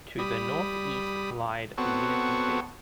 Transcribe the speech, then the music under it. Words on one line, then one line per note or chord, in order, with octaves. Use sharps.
To the northeast lied the Unity State.
G3 B5 D#6
B3 C4 F#4 A4 C#5